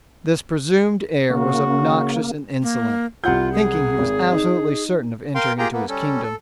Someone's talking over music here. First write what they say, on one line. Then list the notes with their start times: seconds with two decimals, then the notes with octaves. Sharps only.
This presumed heir was obnoxious and insolent, thinking he was absolutely certain of entering into his kingdom.
1.30 C#3 A#3 F#4
2.63 A#3
3.24 C2 F4 F#5 G6
3.53 G#4
3.98 G#1
4.33 D#4
5.35 A#4 F5 G5 C6
5.58 A#3 F4 G4 G#4 G5 A#5
5.73 A#3 B3
5.89 G3 C#4 A4
6.23 A4